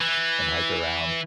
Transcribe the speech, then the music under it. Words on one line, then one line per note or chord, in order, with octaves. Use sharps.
and hike around.
E3